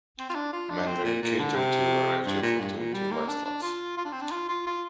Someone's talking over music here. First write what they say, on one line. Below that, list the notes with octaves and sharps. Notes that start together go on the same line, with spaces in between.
Manray catered to a variety of alternative lifestyles.
C4
F4
D4
F4
D4
C4
A#2
A#2
D3
C3
G2
A#2
G2
A#2
G3
A#3
D4
D4
F4
F4
D4
C4
D4
F4
F4
F4